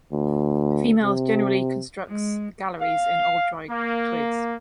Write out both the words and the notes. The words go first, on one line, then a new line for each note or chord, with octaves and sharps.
Females generally constructs galleries in old dry twigs.
D2
C3
G#3
F5
A#3